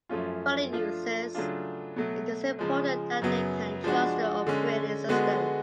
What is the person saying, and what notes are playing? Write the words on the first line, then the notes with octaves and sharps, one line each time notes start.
For the users, it is important that they can trust their operating system.
F#2 F3 A3 C#4 F4
F3 A3 D4 F4
C#3 F#3 A3 D4 F4
B2 F#3 A3
C#3 F3 G#3
F#2 C#3 F#3 B3
F3 G#3 D4 F#4
D3 G#3 C#4
D3 G#3 B3 F#4